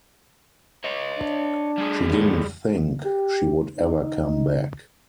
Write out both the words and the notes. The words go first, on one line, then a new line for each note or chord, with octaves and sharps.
She didn't think she would ever come back.
C#5 D#5
D4
G3 G#4
D#2 A2
G4
D#4